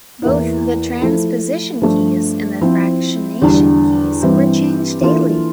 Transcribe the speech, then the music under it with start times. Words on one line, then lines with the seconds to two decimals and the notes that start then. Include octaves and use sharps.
Both the transposition keys and the fractionation keys were changed daily.
0.22 E2 E3 A#3 E4
1.02 F3 A3 E4 A4
1.81 G2 F3 A3 D4
2.61 F3 C4 E4
3.42 E2 D3 G3 D4
4.22 G2 E3 G3 C4 G4
5.01 E3 A#3 D4 F4 A4